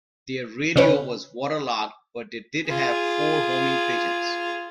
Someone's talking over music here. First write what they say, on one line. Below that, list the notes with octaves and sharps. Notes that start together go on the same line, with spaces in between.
Their radio was waterlogged, but they did have four homing pigeons.
C#3 C#4 B4
F4 G#4